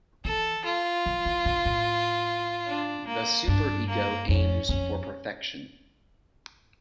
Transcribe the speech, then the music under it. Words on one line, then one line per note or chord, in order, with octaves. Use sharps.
The super-ego aims for perfection.
E3 A4
F4
F3
E3
D3
A2
D4
A#3
G2 D4
A#3
F2 C#4
F2 C#4